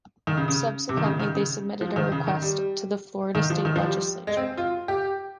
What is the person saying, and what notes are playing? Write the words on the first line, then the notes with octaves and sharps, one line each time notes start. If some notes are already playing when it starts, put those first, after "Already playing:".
Subsequently, they submitted a request to the Florida State Legislature.
D#3
C#3
C#3
C3
D#3
C#3
D#3
C#3
F3
D#3
C#3
D#3
G3
D#3
F3
D#3
F3
G3
G#3
C4
F4
G4